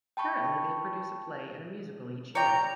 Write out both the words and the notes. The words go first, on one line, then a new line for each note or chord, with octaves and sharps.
Currently, they produce a play and a musical each year.
G5 A5 B5 C#6
C#5 D5 G5 A#5